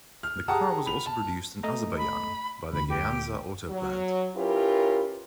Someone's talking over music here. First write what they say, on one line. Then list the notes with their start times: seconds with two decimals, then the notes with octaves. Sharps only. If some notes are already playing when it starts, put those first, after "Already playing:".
The car was also produced in Azerbaijan by the Gyandzha Auto Plant.
0.23 F6
0.48 G4 G#4 F#5 A5 A#5 D#6
0.86 B5 F7
1.06 A5
1.63 A3 D#5 A#5
1.98 B5
2.73 D2 B5
2.89 G4
3.69 F#3
4.35 C#4 E4 F4 G4 A#4 B4